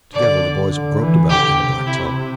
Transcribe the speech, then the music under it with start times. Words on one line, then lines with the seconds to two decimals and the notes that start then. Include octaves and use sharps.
Together the boys groped about in the black tunnel.
0.13 D3 D5
0.71 D3
1.00 E3
1.29 D3 G4
1.58 C3
1.87 E4